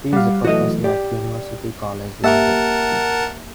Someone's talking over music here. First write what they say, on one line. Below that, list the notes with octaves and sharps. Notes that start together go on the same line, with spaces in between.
He is a professor at University College London.
G3 F5 F#5
E3 F#3 A3 F#4 D#5
G4 D5
A#3 G4 A#4 E5 F#5 A5